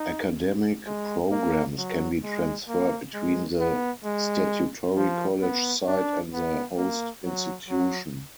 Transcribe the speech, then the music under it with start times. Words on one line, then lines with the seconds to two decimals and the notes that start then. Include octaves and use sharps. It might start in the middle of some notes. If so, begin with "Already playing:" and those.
Academic programs can be transferred between the statutory college side and the host institution.
Already playing: D#4
0.86 G#3
1.31 A#3
1.78 F#3
2.23 G#3
2.68 A#3
3.14 G#3
3.59 B3
4.04 G#3
4.96 F3
5.42 B3
5.87 D4
6.33 B3
6.77 A#3
7.24 F#3
7.69 F#3